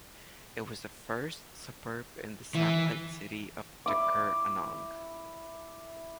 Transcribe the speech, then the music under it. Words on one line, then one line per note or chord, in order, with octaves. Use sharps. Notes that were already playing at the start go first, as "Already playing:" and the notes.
It was the first suburb in the satellite city of Tuggeranong.
E3
E4 D6